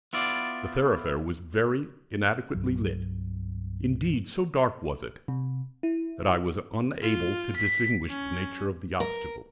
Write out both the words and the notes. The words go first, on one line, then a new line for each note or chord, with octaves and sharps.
The thoroughfare was very inadequately lit; indeed, so dark was it that I was unable to distinguish the nature of the obstacle.
B3 E4 F4 D5
C2 G2 F#3
C3
E4
F4
B6
C#4
A#4